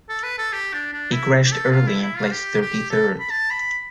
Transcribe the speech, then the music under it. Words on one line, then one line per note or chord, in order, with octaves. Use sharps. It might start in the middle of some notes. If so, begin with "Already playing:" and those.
He crashed early and placed thirty-third.
A4
B4
A4
G4
D4
D4
E4
G4
A4
F4
E4
E4
F4
G4
G4
A4
B5
A5
B5